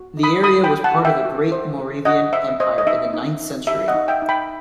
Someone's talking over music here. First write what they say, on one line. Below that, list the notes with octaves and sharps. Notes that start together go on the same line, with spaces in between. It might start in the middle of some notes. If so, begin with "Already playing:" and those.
The area was part of the Great Moravian empire in the ninth century.
Already playing: F#4
D#4
B5 D#6
A4 B5 D#6
G5 B5
F#4
F#5 A5
D#4
E5 G5
F#4
C5
A4
F#4 D#5 F#5
C5 E5
C5 D#5
D#5
D#4 E5
D#4
D#4
G4 E5
D#5 F#5
D#4
E5 G5
D#4
G5 B5